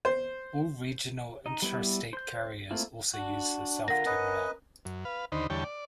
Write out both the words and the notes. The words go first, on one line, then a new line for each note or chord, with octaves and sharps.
All regional intrastate carriers also use the South Terminal.
C5
D#4 D#5
G3 B3 E4 B4
C5 G6
A3 A#3 C4 E4 F4
D4 F#4
D3 F4 A#4 F#5 A#6
C#4 B4 D#5
F#2
B4 F5
D#2 D3 D#4 C5 B5
E2 D3 G3 C#5 G5 A5
D5